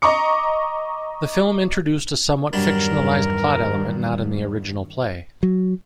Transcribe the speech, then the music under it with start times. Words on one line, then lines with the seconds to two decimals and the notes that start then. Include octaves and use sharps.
The film introduced a somewhat fictionalized plot element not in the original play.
0.02 D#5 A#5 C#6 D6 C#7
2.53 E2 G2 D#3 F#3 G3 D4 A#4
5.43 F#3